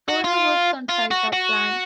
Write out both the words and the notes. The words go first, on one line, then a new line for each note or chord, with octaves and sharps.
Further works on site are planned.
F#4
F4
F4
F#4
F#4